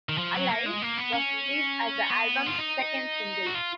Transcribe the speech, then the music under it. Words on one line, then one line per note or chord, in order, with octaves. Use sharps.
"Alive" was released as the album's second single.
D#3
F3
F#3
A#3
G#3
A#3
B3
C#4
B3
F4
D#4
F#4
F4